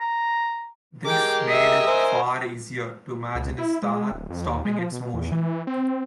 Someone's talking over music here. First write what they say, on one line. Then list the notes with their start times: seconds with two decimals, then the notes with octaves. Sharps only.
This made it far easier to imagine a star stopping its motion.
0.01 A#5
1.06 G#3 G4 A#4 G5 D6
1.48 D#5 E5
1.87 A#4 C5 G#5
3.35 C#2
3.58 E4
3.82 G#3
4.12 D1
4.30 F2
4.46 D#2
4.65 G#3
4.79 F3
4.92 B2
5.14 E2
5.32 E3
5.67 C4